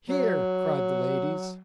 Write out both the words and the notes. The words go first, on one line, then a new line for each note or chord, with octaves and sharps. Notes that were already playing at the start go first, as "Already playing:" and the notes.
"Hear!" cried the ladies.
F#3